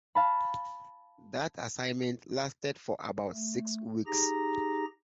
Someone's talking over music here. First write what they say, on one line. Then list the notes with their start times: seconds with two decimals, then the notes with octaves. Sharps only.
That assignment lasted for about six weeks.
0.15 F5 A5 B5
3.33 A3
4.07 D#4 G4 G#4 A#5 A#6